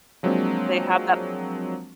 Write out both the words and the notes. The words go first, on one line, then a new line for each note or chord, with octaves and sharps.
they have that
F3 F#3 G#3 A#3 C4 D4